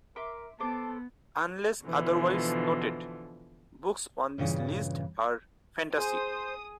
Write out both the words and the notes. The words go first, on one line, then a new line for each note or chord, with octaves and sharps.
Unless otherwise noted, books on this list are fantasy.
A#4 E5 C6 D6
B3 A4 C5 A5 D6
B2 D3 E3 F3
G2 A#2 C#3 E3
G#4 C5 G#5 D#6